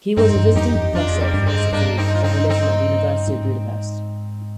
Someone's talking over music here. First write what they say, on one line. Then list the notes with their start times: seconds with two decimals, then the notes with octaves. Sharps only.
He was visiting professor of philosophy of religion at the University of Budapest.
0.16 G2 C4 D#4
0.36 G2
0.55 F2 D#4 G4
0.75 F2
0.94 F2 D4 F4
1.09 G#3
1.21 G3 A#3
1.33 G2
1.46 G#3 C4
1.72 G2 A#3 D4
1.98 C4 D#4
2.15 F4
2.23 C4 D#4
2.49 C4 D#4
3.28 G#2